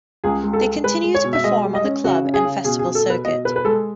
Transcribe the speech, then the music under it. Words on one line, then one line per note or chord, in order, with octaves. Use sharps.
They continue to perform on the club and festival circuit.
C#2 G#4
G#3
A4
G#3
G#3 B4
G#3
C#5
B2
E5
G#3 D#5
G#3
D#5
C#4
C#3 F#4
C#4
G#4
C#3
B2 G#4
G#4
B2
A4
B2
B4
B2 D#5
B2 B4
B4
G#3 A4